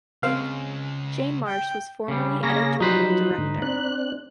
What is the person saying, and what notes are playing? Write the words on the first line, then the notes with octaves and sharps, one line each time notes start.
Jane Marsh was formerly editorial director.
C#3 G#3 C4 F5
G5
C#3 G3
C#3 A#3 C#4 G#4 A#6
F3 F#3 D#4 B4 C5
G#2 D3
C4 D4 F#6